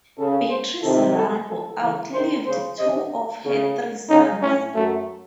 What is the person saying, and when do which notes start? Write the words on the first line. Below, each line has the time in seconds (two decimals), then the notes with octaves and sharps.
Beatrice Rambo outlived two of her three sons.
0.18 C#3 A4
0.50 C5
0.83 C3 D#3 A4
1.16 A4
1.49 A4
1.81 C#3 E3
2.14 C3 D#3 C5
2.47 C#3 C5
2.79 C3 D#5
3.44 C#3
4.09 C#3 D#4
4.42 A2 C#4
4.74 F#2 A3